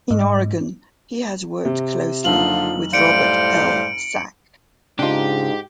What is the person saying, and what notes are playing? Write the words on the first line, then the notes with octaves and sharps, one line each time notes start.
In Oregon he has worked closely with Robert L. Sack.
G#2
C3
F#1 D3 F3 D#4 F4 F#7
A2 G3 C5 F5 C#7 D7
G#2 C#3 D4 D#4 F4 G4